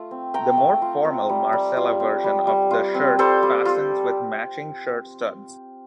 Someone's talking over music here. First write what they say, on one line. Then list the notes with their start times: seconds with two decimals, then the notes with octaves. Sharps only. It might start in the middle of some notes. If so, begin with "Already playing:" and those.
The more formal marcella version of the shirt fastens with matching shirt studs.
Already playing: A3 F4
0.11 C4
0.34 A3 G5 A#5
0.57 A3
0.82 F4
1.05 C4
1.29 G3
1.53 G3
1.77 F4
2.00 C4
2.24 G3
2.47 G3
2.71 F4
2.94 C4
3.19 G3 A4 C5
3.43 G3
3.65 F4